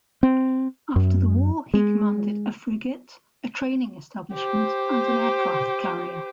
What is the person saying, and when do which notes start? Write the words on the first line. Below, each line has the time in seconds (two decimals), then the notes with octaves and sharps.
After the War he commanded a frigate, a training establishment and an aircraft carrier.
0.23 C4
0.96 F#2
1.74 G#3
4.34 G4 C5